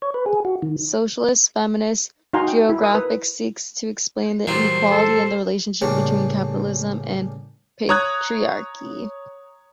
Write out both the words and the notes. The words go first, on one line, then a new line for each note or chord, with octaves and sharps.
Socialist feminist geography seeks to explain inequality and the relationship between capitalism and patriarchy.
C#5
B4
G#4
F#4
D#3
D#4 F#4 F5 G#5 A#5 C6
G5
E4
A#4 D#6
B4
A#2 E3 F#3 G3 C5
A4
A1 C#3 G3 A#3 D4 C#6
C#5 A#5 D#6 F#6 G#6